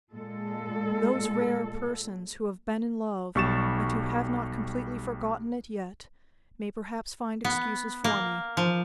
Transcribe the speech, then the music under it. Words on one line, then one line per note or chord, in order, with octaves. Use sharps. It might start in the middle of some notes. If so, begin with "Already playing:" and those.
Those rare persons who have been in love, and who have not completely forgotten it yet, may perhaps find excuses for me.
A#2 G#3 A4
B1 G3 C#6 A6 E7
B3
A#3
F3